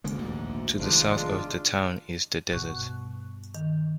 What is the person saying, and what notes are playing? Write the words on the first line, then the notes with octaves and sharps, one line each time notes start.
To the south of the town is the desert.
D2 C#3 G#3 A#3
A#1 D#2 G#2
F1 B2 D#3 G#3 D4 F4
G2 B2 C#6 F#6
D#3